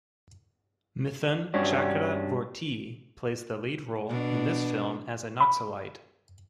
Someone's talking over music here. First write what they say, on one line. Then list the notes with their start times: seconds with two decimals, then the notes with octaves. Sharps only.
Mithun Chakraborty plays the lead role in this film as a Naxalite.
1.54 G2 C#4 D4 F#4
4.09 B2 D4
5.40 B5